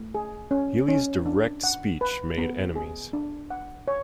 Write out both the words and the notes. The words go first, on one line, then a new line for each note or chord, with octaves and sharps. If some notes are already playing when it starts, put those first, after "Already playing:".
Healey's direct speech made enemies.
Already playing: A3
G#4
C#4
C#4
D4
F#5
B4
B3
G#4
D4
F#5
C#5